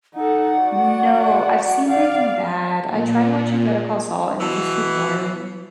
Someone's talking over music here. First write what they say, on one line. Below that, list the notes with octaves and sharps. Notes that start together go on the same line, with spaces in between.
No, I've seen Breaking Bad, I tried watching Better Call Saul and it was just too boring.
D#4 A4 F#5
F#4 D5
D5 F5
A#2
B2 E3